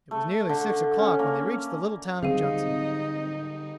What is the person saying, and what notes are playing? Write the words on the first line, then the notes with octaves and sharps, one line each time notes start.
It was nearly six o'clock when they reached the little town of Judson.
A3
D3
C#4
A#3
D3 F#3 G3 C4 D#4 G#4 F5 D#7